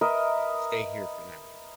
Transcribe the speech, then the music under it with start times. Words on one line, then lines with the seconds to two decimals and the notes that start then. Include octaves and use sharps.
Stay here for now.
0.01 A#4 B4 D#5 E5